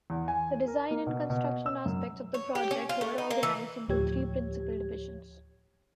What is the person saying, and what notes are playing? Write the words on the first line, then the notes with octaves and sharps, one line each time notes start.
The design and construction aspects of the project were organized into three principal divisions.
E2
G#5
A#4
A#3
B2
B2
E6
F#2
C#5
G4
C#4
F4
A3
D#4
A#3
E3
D2 A2 F3 G4 C#5 G#6